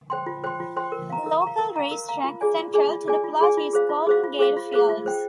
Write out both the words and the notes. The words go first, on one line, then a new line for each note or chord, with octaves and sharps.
The local racetrack central to the plot is Golden Gate Fields.
C5 G5 C6
F4
C5 G5 C6
F4
C5 G5 C6
A#4
F5 A#5
A#4
A#5
F5
A#4
F5 A#5
A#4
F5 A#5
F4
G#4 D5 G#5
F4
G#4 D5 G#5
F4
G#4 D5 G#5
F4
G#4 D5 G#5
F4
G#4 C5 F5
F4
G#4 C5 F5
F4
G#4 C5 F5
F4
G#4 C5 F5
F4
C5 G5